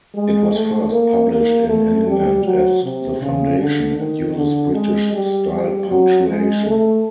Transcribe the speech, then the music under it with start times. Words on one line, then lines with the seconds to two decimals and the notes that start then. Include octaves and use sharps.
It was first published in England as "The Foundation" and uses British-style punctuation.
0.15 G#3
0.54 A3
0.91 A#3
1.30 A#3
1.68 A3
2.07 G3
2.44 F#3
2.83 C3
3.21 C#3
3.60 D3
3.98 D#3
4.36 D3
4.74 G#3
5.13 G3
5.51 G3
5.89 F#3
6.27 G#3
6.66 A3